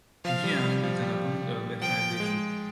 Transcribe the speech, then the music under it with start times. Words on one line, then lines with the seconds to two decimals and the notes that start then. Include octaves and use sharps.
Jiang is an opponent of Westernisation.
0.25 F3 F5
0.44 G3
0.64 G3
0.83 F3
1.02 G3
1.82 F3 G5
2.20 G#3